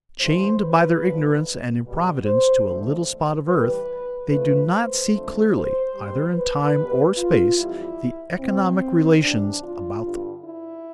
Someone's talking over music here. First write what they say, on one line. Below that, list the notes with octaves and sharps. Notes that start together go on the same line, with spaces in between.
Chained by their ignorance and improvidence to a little spot of earth, they do not see clearly, either in time or space, the economic relations about them.
G2 E3 A3 C5
B4
G2 D3 F3 A3
B2 G3
C5
E2 D3 A3
A2 E3 G3 B4
A2 F3 A3 B4
C5
F2 D3 A3
C5
B2 G3
B4
B2 G3
F4
F2 E3 G3 E4
B2 A3 C4
F2 C3 E3 G3 D4
F4
G2 D3 G3
E4